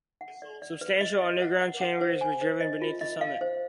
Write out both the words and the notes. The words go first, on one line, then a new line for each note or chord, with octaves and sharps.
Substantial underground chambers were driven beneath the summit.
F#5
D5
D5
B4
D#5
D#5
F#5
F#5
F#5
C5
G#5
C5
D#5
F4
D#5
F5
C5